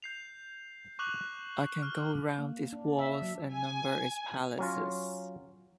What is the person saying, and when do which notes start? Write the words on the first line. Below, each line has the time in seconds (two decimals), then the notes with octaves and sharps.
I can go round its walls and number its palaces.
0.02 G6 C7 F7
0.99 C#6 D6 F#6 F7 F#7
1.83 F6
2.38 A#3
2.73 D4
2.99 E5
3.22 F#3
3.53 G#5
4.58 F#3 C#4 F4